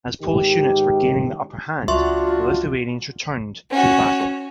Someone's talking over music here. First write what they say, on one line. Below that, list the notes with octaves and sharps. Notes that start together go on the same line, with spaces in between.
As Polish units were gaining the upper hand, the Lithuanians returned to the battle.
G#2 D#3 G4
C#2 F#3 D4 F4 F#4 E5 C6 C#6
C#4 F#4